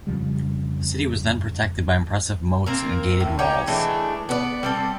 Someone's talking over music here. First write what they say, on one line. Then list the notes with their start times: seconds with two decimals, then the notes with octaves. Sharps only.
The city was then protected by impressive moats and gated walls.
0.07 F2 C#3 F3 G3
2.66 A#3 C4 A#4
3.20 A2
3.39 D#4 G4 C#5 G5
3.67 E3 G#3 A3 D4
4.29 B3 B4 D5
4.63 G3 C4 A4